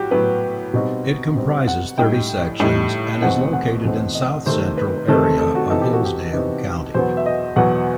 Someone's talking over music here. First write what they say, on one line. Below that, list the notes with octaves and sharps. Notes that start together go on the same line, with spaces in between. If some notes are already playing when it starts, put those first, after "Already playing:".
It comprises thirty sections and is located in south-central area of Hillsdale County.
Already playing: A2 F#3 F#4 G4
A2 F#3 B3 B4
B2 G3 C4 D#4
B2 G3 C4 D#4
F#5
A2 G3 D#4 G5
A2 G3 D#4
E2 B2 A3 C4 D#4 F#5
F#5
E2 B2 A3 C4 D#4
D#5
C3 D#3 A3 C4 D#4 C5
B4
C3 D#3 A3 C4 D#4 A4
A4
A4
F#4
C3 E3 B3 D#4 A4
G4
F#4
G4
C3 E3 B3 D#4
E2 B2 F#3 B3 C5
E5
D#5
E2 B2 F#3 B3 F#5